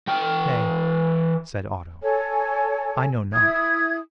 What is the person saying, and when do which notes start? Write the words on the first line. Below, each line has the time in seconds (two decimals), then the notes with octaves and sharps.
"Nay," said Otto, "I know not."
0.08 E3 G5
2.02 A4 C#5 G#5
3.33 E4 D#6 G#6